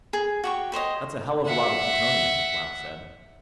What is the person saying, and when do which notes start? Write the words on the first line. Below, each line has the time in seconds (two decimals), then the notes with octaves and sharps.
"That's a hell of a lot of plutonium," Blount said.
0.13 G#4
0.44 F#4 G4 C#6
0.72 G4 C5 C#5 D#5
1.46 E5 F#5